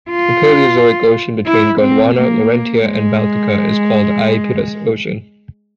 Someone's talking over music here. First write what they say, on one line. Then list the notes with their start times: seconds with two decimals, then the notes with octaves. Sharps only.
The Paleozoic ocean between Gondwana, Laurentia and Baltica is called the Iapetus Ocean.
0.10 F4
1.46 E4
1.81 C4
2.15 A#3
2.83 G#3